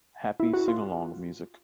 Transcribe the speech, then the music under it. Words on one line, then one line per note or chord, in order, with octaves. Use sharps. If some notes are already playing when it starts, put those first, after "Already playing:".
Happy singalong music.
E4
F#4
F4